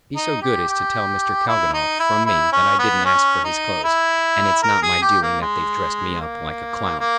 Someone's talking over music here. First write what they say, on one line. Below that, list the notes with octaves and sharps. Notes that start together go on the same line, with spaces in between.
"Be so good as to tell Mr. Kalganov from me that I didn't ask for his clothes, and it's not my doing that they've dressed me up like a clown."
D#4
G4
G4
E4
D#4
E4
E4
C#4
B3
C#4
D#4
E4
A#4
G#4
G4
A#3
G#3
A#3
A#3